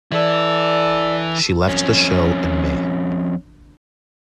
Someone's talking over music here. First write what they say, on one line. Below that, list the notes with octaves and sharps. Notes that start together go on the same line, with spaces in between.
She left the show in May.
E3 E4 A4 D5
F2 C#4